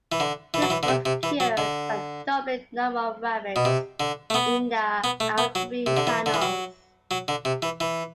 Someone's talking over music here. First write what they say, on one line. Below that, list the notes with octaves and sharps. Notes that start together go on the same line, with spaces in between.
This was cured by doubling the number of rivets in the outer wing panels.
E3
D3
E3
F#3
E3
D3
C3
C3
E3
F#3
D3
B2
C3
D3
A3
B3
B3
A3
B3
F#3
C3
D3
E3
D3
E3
F#3
F#3
D3
C3
E3
E3